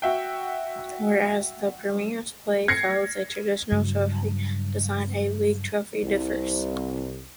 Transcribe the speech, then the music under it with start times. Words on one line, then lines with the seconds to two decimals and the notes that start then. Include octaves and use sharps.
Where as the Premier's Plate follows a traditional trophy design, the A-League Trophy differs.
0.02 F#4 E5 G5
2.68 G#6 A#6 C7 C#7
3.72 G2 C#3 F#3
6.02 C2